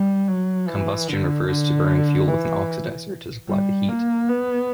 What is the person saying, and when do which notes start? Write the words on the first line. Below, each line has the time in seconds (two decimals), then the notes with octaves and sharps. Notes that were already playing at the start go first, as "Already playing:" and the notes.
"Combustion" refers to burning fuel with an oxidizer, to supply the heat.
Already playing: G3
0.28 F#3
0.68 E3
1.08 D3
1.48 D3
2.29 E3
3.49 G3
3.89 A#3
4.29 B3